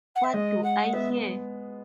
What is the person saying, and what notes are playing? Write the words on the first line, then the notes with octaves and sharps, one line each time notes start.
What do I hear?
F#5
E5
G#3 D#5
F#5
B3 E5